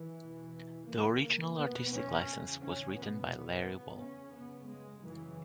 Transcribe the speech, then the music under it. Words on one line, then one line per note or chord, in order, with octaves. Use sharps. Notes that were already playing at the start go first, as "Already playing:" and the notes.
The original Artistic License was written by Larry Wall.
Already playing: E3
E2 B2
E2 C#3 A#3
E2 B2 B3
C#4
E2 C#3
C#4
E2 B2 B3
E2 C#3
C#4
F#2 C#3 B3
G#3
F#2 C#3 E3